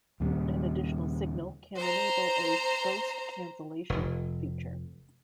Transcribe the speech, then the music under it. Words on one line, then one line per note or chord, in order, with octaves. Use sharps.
An additional signal can enable a "Ghost Cancellation" feature.
D#2 A#2 C#3 G3
C5 A#5
F1